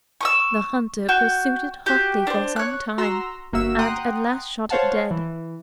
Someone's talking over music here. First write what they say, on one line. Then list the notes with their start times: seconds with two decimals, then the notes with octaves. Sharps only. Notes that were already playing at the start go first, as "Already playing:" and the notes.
The hunter pursued it hotly for some time, and at last shot it dead.
0.21 C#6 D#6 E6
1.09 F#4 G5
1.86 F#4 G4
2.27 D4 C5
2.56 C#5 F#6
2.98 F#4 A#5 C6 E6
3.53 G1 A#3 F#4 E5 E6
3.79 F#5 G5 A#5 C6 D#6 F#6
4.70 C5 C#5 F5 F#5 A5
5.11 E3